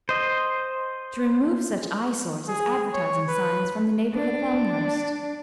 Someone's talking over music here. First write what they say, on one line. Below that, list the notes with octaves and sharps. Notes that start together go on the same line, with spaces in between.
"To remove such eyesores as advertising signs from the neighborhood of Elmhurst."
C5 D#5
G#4
C#5
B4
D4